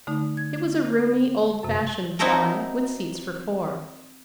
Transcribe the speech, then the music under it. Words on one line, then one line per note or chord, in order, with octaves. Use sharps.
It was a roomy, old-fashioned fly, with seats for four.
D3 A3 D#4
G#6
F#2 C3
C4 D#4 E4 F#4 A4 A#4